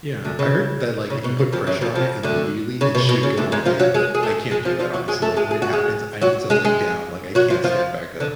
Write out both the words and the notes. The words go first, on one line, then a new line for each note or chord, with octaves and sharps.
Yeah. I heard that, like, if you put pressure on it immediately, it should go away, but I can't do that, honestly, like, when it happens, I need to lay down, like, I can't stand back up.
D2 D3
C#3
C#3
B2
C#3
F2 F3
F#2 F#3
F2 F3
F2 F3
D2 D3
C#3
B2
B2
C#3
D2 D3
G#2 G#3
F3 F4
F#3 F#4
G#3 G#4
G#4
A3 A4
G#3 G#4
F3 F4
F3 F4
F#3 F#4
G#3 G#4
A3 A4
G#3 G#4
G#4
F#4
G#3 G#4
F#3 F#4
G#3 G#4
G#3 G#4
F#3 F#4
F3 F4
F3 F4
D3